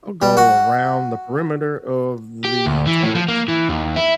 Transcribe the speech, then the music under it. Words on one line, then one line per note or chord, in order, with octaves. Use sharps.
I'll go around the perimeter of the church
G3
F#4
G4
D2
E3
A2
F3
A#3
E3
D#2
E4